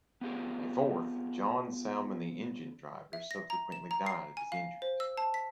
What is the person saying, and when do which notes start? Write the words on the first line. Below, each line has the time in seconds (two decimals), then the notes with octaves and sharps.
A fourth, John Salmon the engine driver, subsequently died of his injuries.
0.21 B3 C4 F4 G4 G#4 A#4
3.13 E5
3.31 A#6
3.50 A#5
3.72 E7
3.91 A#5
4.06 C7
4.37 G#5
4.52 F5
4.82 C5
5.00 E6
5.17 A5
5.34 B6